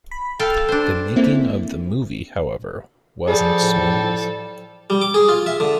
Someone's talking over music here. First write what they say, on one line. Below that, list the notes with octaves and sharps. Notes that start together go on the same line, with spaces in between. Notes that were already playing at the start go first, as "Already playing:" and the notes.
The making of the movie, however, wasn't smooth.
B5
A4 F5 G5
D4 C5
A#3 C4 E4
F3 G3 G#4 A4
A2
G3
D6
G#4
F4
E5
D3